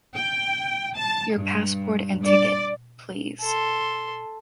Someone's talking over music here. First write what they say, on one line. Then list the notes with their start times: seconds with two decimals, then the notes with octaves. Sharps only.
Your passport and ticket, please.
0.16 G5
0.97 A5
1.35 G2
2.24 D5
3.41 A4 C6